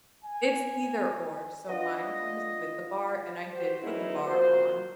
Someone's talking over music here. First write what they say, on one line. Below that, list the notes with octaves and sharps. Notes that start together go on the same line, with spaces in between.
It's either-or, so mine comes with the bar, and I did put the bar on
G#5
B3 D4 F4 D#5
F#4 G4 C5
F#3 B3 C#4 D#4 E4 G#4
F3 A#3 F#4 C5